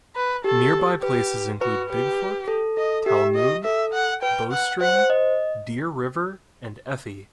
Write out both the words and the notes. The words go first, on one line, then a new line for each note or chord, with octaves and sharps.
Nearby places include Bigfork, Talmoon, Bowstring, Deer River, and Effie.
B4
G4 A4
G4 B4
F#4 B4
G4 B4
A4
A4 D#5
G4 E5
D#5
A4 E5
F#5
B4 G5
F#5
C5 F#5
C5
D#5